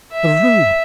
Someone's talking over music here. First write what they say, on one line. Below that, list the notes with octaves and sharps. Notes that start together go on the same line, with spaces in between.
The room!
E5